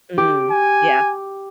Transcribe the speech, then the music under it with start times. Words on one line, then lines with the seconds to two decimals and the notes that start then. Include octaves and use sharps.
Mm, yeah.
0.18 G4
0.51 G#5